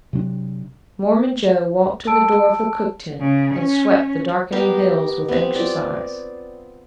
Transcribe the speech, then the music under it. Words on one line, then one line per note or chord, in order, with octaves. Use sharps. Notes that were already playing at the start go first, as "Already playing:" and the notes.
Mormon Joe walked to the door of the cook tent and swept the darkening hills with anxious eyes.
C3 F#3 C#4 D4
A5 E6 D7
C#3
C#4
B3 G4 A#4 F5
B3 C4
F4 D5